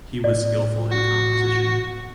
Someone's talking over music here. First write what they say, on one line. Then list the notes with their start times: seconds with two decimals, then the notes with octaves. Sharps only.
He was skillful in composition.
0.24 A2 D5
0.92 F#4